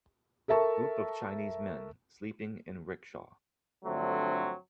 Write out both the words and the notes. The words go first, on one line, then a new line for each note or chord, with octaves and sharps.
Group of Chinese men sleeping in rickshaw.
A4 A#4 E5 A5 C#6
G2 D3 F3 F#3 A3 C4